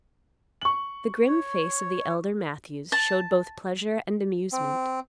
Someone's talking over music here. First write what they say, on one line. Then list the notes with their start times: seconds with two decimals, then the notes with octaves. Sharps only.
The grim face of the elder Matthews showed both pleasure and amusement.
0.61 C#6 F#7
1.28 C#5
2.92 A5
4.52 C4